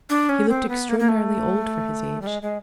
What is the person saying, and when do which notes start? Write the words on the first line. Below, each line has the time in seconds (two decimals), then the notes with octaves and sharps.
He looked extraordinarily old for his age.
0.10 D4
0.29 C#4
0.49 C4
0.69 B3
0.89 A#3
1.00 A#3
1.09 A3
2.22 G3
2.27 G#3
2.42 G#3